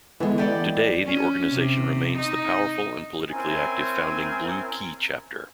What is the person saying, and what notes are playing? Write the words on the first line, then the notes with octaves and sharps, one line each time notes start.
Today, the organization remains the powerful and politically active founding Blue Key chapter.
D3 E3 G#3 B3
G4 A4 D5 D#5
C#4
C3
D#4
C4 C#4 E4 A#4 G#5